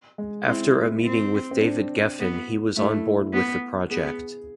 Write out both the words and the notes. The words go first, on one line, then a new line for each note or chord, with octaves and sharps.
After a meeting with David Geffen he was on board with the project.
G#3
C4 E4
C4
C4
D4
B3
A3 E4
B3
B3 G#4